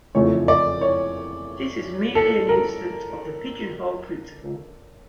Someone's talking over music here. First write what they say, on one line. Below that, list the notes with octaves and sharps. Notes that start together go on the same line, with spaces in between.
This is merely an instance of the pigeonhole principle.
F1 E2 C#3 F3 A3 C#5
D5
C#5
A4
A#4